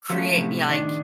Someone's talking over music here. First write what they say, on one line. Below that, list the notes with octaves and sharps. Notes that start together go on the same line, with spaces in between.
create you know, like,
F3 F#3 A3 C#4
A2 C3
D#3 D4